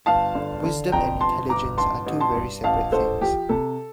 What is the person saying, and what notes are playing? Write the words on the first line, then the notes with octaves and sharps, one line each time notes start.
Wisdom and intelligence are two very separate things.
G1 F5 A5
D3
D3
F2 G5 A#5
G1 A5 C6
G1 A#5 D6
A1 A5 C6
A1
A5 C6
G2
A1 F5 A5
A1 A4 C5
F3 G4
C3 A4